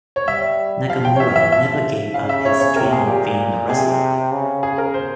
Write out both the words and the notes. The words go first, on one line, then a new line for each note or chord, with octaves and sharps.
Nakamura never gave up his dream of being a wrestler.
C#5
G3 E5
F3 F5
G5
C#5
E3 E5
E5
F3 E5
C#3 F5
E5
C#5
C#5
C3 A#4
G#4
A#2 G4
C3 G#4
C#3
G#4
A#4
C5